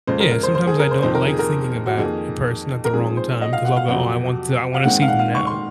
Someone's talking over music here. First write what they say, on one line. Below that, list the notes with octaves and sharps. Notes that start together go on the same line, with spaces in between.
Yeah, sometimes I don't like thinking about a person at the wrong time, 'cause I'll go, "Oh, I want to I wanna see them now."
F2 C#3 G#3 C5
A#4
A#4
C5
C5
G#4
A#4
C5
F2 C3 D#3 C5
A#4
G#4
A#4
F#4
F2 D#3 A#3 G#4
A#4
G#2 F3 C4 G#4
C5
D#5
F5
F#5
F5
F2 C3 F#3 F#5
F5
G#2 D#3 G#3 C4 F#5
F5
F#5
F5
C#6
C6